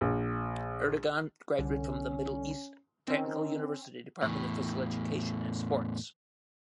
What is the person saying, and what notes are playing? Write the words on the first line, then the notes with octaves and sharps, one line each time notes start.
Erdogan graduated from Middle East Technical University Department of Physical Education and Sports.
A#1
C2 D3 C#4
D#3 C4 C#4
E2 A2